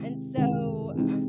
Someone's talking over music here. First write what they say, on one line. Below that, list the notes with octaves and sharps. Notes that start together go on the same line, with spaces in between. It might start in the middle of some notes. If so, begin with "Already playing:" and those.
And so, uh
Already playing: C3 D#3 G#3 C4 E4
C3 D#3 G#3 C4 E4
C3 E3 G#3 C4 D#4